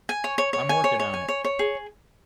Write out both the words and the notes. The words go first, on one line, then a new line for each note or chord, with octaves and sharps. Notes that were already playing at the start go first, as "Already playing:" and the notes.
I'm working on it.
G#5
C#5
C#5
C#5
G#5
C#5
C#5
G#5
C#5
C#5
G#4